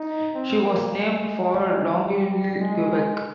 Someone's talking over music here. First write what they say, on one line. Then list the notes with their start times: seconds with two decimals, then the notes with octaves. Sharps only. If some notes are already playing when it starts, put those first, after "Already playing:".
She was named for Longueuil, Quebec.
Already playing: D#4
0.35 C4
0.63 A#3
0.92 G#3
1.20 G#3
2.04 G3
2.60 G#3